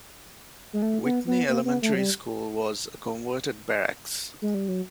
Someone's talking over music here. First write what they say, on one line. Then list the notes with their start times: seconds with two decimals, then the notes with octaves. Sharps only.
Whitney Elementary School was a converted Barracks.
0.73 G#3
0.82 A3
1.04 B3
1.27 B3
1.49 A#3
1.65 B3
1.82 A3
1.94 F#3
1.98 G3
4.42 G#3
4.54 G3
4.68 F#3